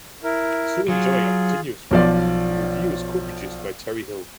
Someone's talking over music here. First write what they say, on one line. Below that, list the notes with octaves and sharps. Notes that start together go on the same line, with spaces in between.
Still enjoying a continuous run, the revue is co-produced by Terry Hill.
E4 A#4
F#3 F4 G#4
B1 F3 D5